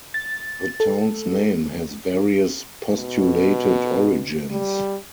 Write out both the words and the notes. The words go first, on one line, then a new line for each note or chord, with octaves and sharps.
The town's name has various postulated origins.
A6
A4
B2
G3